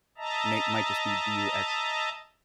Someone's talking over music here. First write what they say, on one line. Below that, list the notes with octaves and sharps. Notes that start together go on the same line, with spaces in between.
May might just be B-U-S
D#5 E5 A5 A#5